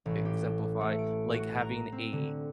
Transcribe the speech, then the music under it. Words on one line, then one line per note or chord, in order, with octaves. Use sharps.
exemplify, like, having a
A1
G4
A3
D7
F#4
A#5
C4
D3